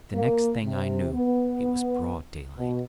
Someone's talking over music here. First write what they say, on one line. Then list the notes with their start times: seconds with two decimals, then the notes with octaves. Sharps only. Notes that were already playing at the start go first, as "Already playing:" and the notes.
The next thing I knew it was broad daylight.
0.14 A#3
0.63 C3
1.13 B3
2.56 B2